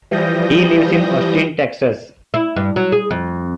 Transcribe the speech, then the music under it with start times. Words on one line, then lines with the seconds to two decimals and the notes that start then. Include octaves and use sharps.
He lives in Austin, Texas.
0.11 E3 F3 G3 D#6 G6 A#6
2.34 E4
2.56 G2
2.76 F#3
2.92 G#4
3.11 F2